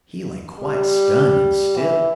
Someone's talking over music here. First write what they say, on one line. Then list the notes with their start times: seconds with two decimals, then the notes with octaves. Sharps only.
He lay quite stunned and still.
0.59 G3
1.77 E3